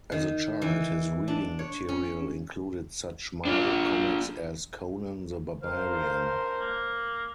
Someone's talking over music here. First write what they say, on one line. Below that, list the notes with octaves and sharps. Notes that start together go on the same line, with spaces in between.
As a child, his reading material included such Marvel Comics as "Conan the Barbarian".
D#3
E3
D4
C#5
C#4
D4 F4
G2 A#4 C5 F5
A#3